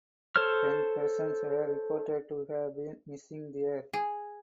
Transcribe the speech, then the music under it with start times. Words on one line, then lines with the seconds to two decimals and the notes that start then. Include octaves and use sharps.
Ten persons were reported to have been missing there.
0.36 A4 C5 C#5 F6
3.93 G#4